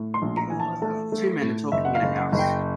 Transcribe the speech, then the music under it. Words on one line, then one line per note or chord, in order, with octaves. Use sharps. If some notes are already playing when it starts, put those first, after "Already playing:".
Two men are talking in a house.
Already playing: A2
C6
A#1
A#5
E3 G#5
A5
A3 A5
A3
A2
F#1 E5
F#5
F5
F#1
F#5
F#1
G5